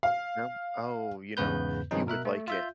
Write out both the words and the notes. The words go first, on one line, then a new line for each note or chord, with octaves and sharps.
No? Oh, you know, you would like it.
F5
E2 G#2 C#3 B3 B4 G6
G2 D#3 F3 G#3 C#4 D#4
B2 A#4 E5 F#6
A3
F4 E5 G6